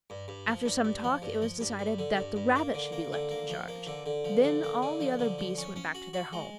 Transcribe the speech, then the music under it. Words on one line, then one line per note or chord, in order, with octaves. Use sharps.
After some talk it was decided that the rabbit should be left in charge; then all the other beasts went back to their homes.
G2
G2
F3
G2
G2
F3
G2
F3
G2
G2
D3
G2
G2
A#3
D3
A#3
D3
A#3
F3
A#3
D3
D3
F3
D3
A#3
D3
F3
D3
F3
C#4
C#4
F#4
F#4
G#3